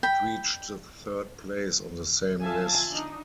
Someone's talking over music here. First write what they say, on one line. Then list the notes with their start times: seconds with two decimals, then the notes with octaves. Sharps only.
It reached the third place on the same list.
0.03 G5 B5
2.42 F3 E5 F5 G#5 A5
2.89 D4 D#4